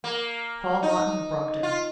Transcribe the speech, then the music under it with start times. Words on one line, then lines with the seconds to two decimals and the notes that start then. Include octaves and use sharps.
Paul Lawton of Brockton.
0.04 A#3
0.83 D#4
1.63 F4